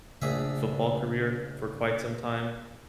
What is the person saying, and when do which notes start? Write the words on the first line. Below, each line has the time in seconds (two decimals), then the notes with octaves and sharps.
football career for quite some time.
0.22 A#1 C#3 A3 D4 G#4 E5